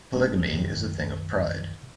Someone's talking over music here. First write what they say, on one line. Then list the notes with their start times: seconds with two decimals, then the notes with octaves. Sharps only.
Polygamy is a thing of pride.
0.14 F1 A#2 G#3 D4
0.50 B1 F#2 A2 D#3